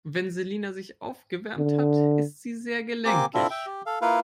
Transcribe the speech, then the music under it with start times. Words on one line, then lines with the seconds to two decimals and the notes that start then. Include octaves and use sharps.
Wenn Selina sich aufgewärmt hat, ist sie sehr gelenkig.
1.57 D3
3.05 A#3 C4 G4 G#5 D6
3.34 C4 D4 E4 F4 A4
3.50 E5 G5
3.66 G4
3.86 A4 F5
4.02 A#3 E4 F4 B4 F5